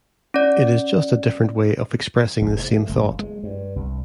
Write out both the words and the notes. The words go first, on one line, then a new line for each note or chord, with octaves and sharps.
It is just a different way of expressing the same thought.
C#4 D5
F1
G#2
A3
F#1
G#3
G2
C2